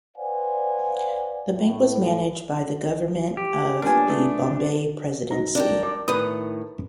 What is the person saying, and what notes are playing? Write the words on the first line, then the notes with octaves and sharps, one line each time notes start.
The bank was managed by the government of the Bombay Presidency.
B4 C5 D5 F5 F#5 G#5
A2
G4
A#2 G3 B3 D4 A#4 G#5
A3 B3 G#4
D#4 F#4 A#5
D4 A#4 G5
D5
A2 D#3 B4 D#6